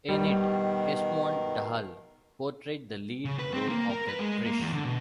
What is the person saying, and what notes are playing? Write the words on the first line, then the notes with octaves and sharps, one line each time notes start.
In it Hesmondhalgh portrayed the lead role of Trish.
B2 D#3 G3
C#3
B4
C4
A#3
A#4
B4
G#3
A#3
E2
D3
B2